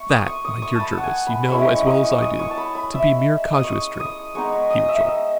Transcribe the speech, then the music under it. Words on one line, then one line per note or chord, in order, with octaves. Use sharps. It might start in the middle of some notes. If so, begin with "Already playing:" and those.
"That, my dear Jervis, you know, as well as I do, to be mere casuistry," he rejoined.
Already playing: C#6
D#6
C#6
D#6
C#6
A5 B5
F#5
G#5
B5
B5
G#3 C#4 E4 C#6
C#6
D#6
C#6
D#6
C#6
A5
B5
B5
E5
D#6
C#6
D#6
G#3 B3 D#4 C#6
C#6
D#6
E5
D#5